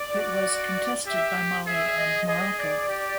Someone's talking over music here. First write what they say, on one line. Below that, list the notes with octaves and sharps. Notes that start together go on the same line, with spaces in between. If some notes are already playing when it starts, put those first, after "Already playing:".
It was contested by Mali and Morocco.
Already playing: D5
F#4
G4 E5
G#4 E5
D#5
G#4 D#5
D5
G4